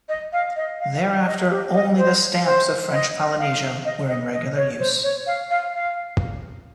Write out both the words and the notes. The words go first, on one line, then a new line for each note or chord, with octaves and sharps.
Thereafter only the stamps of French Polynesia were in regular use.
D#5
F5
D#5
F5
D#5
G4
D#5
C5
C5
D#5
F5
D#5
D#5
D#5
C#5
C5
C#5
F5
F5
F5